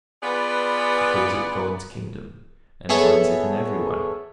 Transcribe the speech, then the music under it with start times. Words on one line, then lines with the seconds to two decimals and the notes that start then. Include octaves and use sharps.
He calls it 'God's Kingdom,' and finds it in every one.
0.23 B3 F4 G#4 B4 D5 F#5
2.89 B3 G#4 A4 C#5 E5